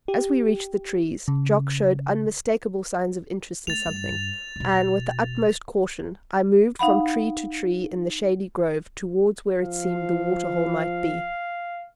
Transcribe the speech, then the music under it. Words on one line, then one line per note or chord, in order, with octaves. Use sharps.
As we reached the trees Jock showed unmistakable signs of interest in something, and with the utmost caution I moved from tree to tree in the shady grove towards where it seemed the water-hole might be.
G4
C#3
A3 A6 F7
G2
E1 B2
D#4 F5 F#5 B5
F3 F5